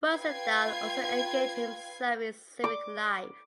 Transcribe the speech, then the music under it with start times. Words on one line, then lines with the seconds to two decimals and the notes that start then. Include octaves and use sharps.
Rosendahl also engaged himself in civic life.
0.11 F4 B4 G5 G#6 C7
2.64 D6